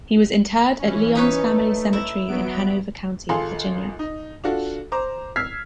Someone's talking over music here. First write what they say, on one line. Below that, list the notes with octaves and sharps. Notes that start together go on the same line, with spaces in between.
He was interred at Lyons Family Cemetery in Hanover County, Virginia.
E3 C#4
D#4 B4 C#5
A3
E4
F#3 B3 D7
G#1 F4 G#4 A4 C6
D#4
D4 F4 F#4 A4
C5 A#5 D6
E6 F6 G#6 B6 C7